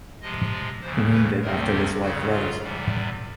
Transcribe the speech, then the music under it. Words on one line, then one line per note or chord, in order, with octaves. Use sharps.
He named it after his wife Rose.
C3 F3 G#3 D#5
D5
D#2 C#3 E3 C5
B4
D2 C3 D#3 G3 C4 A#4
G4
F2 C#3 F#3 F#4
F4
E2 C3 E3 G3